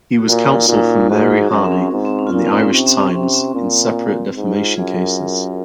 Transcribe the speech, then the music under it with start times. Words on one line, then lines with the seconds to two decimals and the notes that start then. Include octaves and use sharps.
He was counsel for Mary Harney and The Irish Times in separate defamation cases.
0.18 F#4
0.28 A#2 F4
0.42 F4
0.56 D#4
0.69 A#2 D#4
0.83 C#4
0.96 F4
1.10 G#2 F#4
1.30 G#4
1.51 F#2 A#4
1.64 C4
1.72 C#4
1.91 G#2 C4
2.05 C4
2.19 C#4
2.27 F4
2.32 A#2 D#4
2.46 C#4
2.60 C4
2.73 C3 C#4
2.87 C4
3.01 C#4
3.13 C3 C4
3.23 C#4
3.34 C4
3.44 C4
3.54 A#2
4.36 G#2
4.56 F4
4.76 F#2 G#4
4.90 A#4